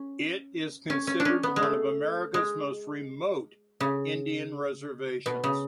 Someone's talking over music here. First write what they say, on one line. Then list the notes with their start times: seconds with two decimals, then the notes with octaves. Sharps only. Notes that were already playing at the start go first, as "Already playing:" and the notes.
It is considered one of America's most remote Indian reservations.
Already playing: C#4
0.90 C#4
1.07 C#4
1.20 D4
1.25 C#4
1.43 B3
1.56 G#3
1.63 A3
2.34 G#3
3.81 C#3
5.26 B2
5.44 C#3